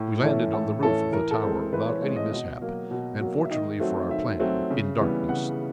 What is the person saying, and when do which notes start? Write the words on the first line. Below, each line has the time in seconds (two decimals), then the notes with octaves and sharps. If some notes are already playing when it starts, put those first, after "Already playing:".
We landed on the roof of the tower without any mishap, and fortunately for our plan, in darkness.
Already playing: A2
0.23 E3 A3 C#4
0.53 A2 A4
0.83 E3 A3 C#4 A4
1.12 E3 A#4
1.31 A4
1.43 G#3 C4 A#4
1.73 E3 B4
1.86 C#5
2.01 G#3 C4 C#5
2.16 D#5
2.31 B2 D#5
2.61 F#3 A#3
2.91 B2
3.21 F#3 A#3
3.45 E5
3.50 D#3 D#5
3.80 F#3 A3 C4
4.10 D#3 E5
4.39 F#3 A3 C4
4.70 C#3
5.00 E3 G3 B3
5.29 C#3 F#5